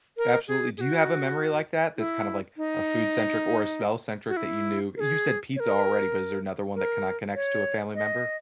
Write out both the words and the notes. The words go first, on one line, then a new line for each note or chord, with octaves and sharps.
Absolutely, do you have a memory like that, that's kinda like a food centric or a smell centric that you knew? You said pizza already, but is there another one that kinda connects to a family member?
A#4
G#4
G#4
F#4
E4
D#4
F#4
E4
A#4
G#4
C#5
A#4
A#4
C#5
D#5